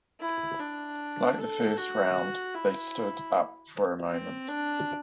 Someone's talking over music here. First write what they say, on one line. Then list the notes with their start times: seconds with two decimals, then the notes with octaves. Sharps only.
Like the first round, they stood up for a moment.
0.21 E4
0.60 D4
1.38 A4
1.77 F#4
2.55 E4
4.11 C4
4.49 D4